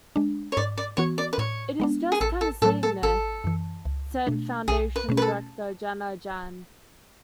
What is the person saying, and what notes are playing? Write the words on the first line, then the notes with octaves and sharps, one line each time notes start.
"It is just kind of sitting there", said Foundation director Janna Jahn.
G#3 D4
C#5
G#2 D5
D5
E3 B3 F#4 C#5
D5
B4
A2 C#5
G#3 B3 D4
G#4
A1 A4
A4
A2 F#3 A3 A4
A4
G#1 A4
F#2 E3
C#2
B2 A3 D4
B1 G#4
B4
B2 A3 C#4
B4
A4